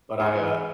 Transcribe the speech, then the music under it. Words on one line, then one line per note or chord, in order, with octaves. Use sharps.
but I, uh,
G#2 G#4
E3